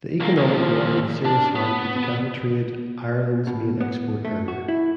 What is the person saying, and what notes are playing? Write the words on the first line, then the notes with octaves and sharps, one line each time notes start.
The economic war did serious harm to the cattle trade, Ireland's main export earner.
C2 A#3
D#2 F3
D4 A5
B3
B2
B3
A3
F#4
E4